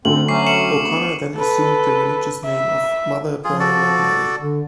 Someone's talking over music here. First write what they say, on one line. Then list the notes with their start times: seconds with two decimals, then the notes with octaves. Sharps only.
O'Connor then assumed the religious name of "Mother Bernadette Mary".
0.05 D2 D3 C4 F#7
0.28 F#3 A3 C#4 C#6 D6 C7
0.47 C#7 E7 F#7
0.87 B3
1.35 A4 B4
2.44 E5
3.44 F3 F4 G#4
3.60 F#4 A4 D5
4.39 D3